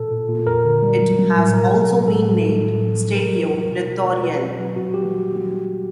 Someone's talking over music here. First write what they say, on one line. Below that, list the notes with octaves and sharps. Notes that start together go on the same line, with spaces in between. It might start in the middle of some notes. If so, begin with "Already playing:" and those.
It has also been named Stadio Littoriale.
Already playing: A#2 A4
A#2
A#2
F2 A#4
D3
G3
F#3
F#3
A2
B2 A#4
F#3
F#3
A2 A4
G3
G3
A2
F#3
F#3
C3 A#4
E3
E2
B2
B2
G#3
B2 B4
F#3
F#3
A#2 F#4
G3 G4